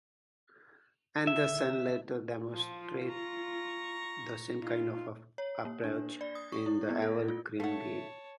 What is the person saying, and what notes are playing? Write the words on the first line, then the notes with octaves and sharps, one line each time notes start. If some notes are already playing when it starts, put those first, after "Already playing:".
Anderssen later demonstrated the same kind of approach in the Evergreen Game.
E5
F3 F4
A#5 C#6
D#4 F4
C#5
A#3
D4
D5
D#6
C#6
E4
B3
A4
F4
A3 C#5 F5 F#5 A5